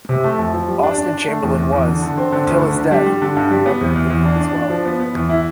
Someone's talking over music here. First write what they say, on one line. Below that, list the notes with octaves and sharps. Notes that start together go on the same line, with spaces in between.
Austen Chamberlain was, until his death, a member of the group as well.
C3
A3
F2
F3
G3
D4
D4
D4
A3
E2
E2
E2
D3
D3
C4
D3
D2
D3
D3
G3
G3
D3
G2
G3
B3
E2
E2
E2
D4
D4
D4
F3
B3
B3
E2
E4